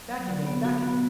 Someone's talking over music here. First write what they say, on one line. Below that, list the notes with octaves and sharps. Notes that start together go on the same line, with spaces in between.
'Back again! back again!
F#3
D3
B3
F#4
B3